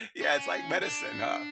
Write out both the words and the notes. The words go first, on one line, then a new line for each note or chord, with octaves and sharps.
Yeah, it's like medicine, huh?
C#4
D4